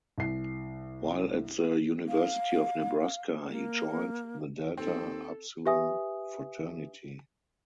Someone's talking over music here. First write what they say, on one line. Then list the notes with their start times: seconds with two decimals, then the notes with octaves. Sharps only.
While at the University of Nebraska he joined The Delta Upsilon Fraternity.
0.18 C2 C7
2.09 F5
3.49 A#3
4.77 D#2 C4 A4
5.66 G4 B4 E5 G#5 D#6